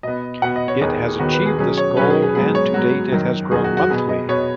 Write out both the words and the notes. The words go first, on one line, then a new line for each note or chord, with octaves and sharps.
It has achieved this goal and to date it has grown monthly.
B2 B3 D#5
B2 B3 F#5
D#5
C#5
D#2 D#3 B3 G#4
G#4
D#2 D#3 B3 F#4
B4
G#4
B2 F#3 C#4 G#4
C#5
B2 F#3 C#4 B4
G#4
G#4
G#2 F#3 B3 G#4
C#5
G#2 F#3 B3 F#4
F#2 D#3 F#3
F#2 D#3 F#3 G#4
F#4
F#4
B2 B3 G#4
D#5
B2 B3 C#5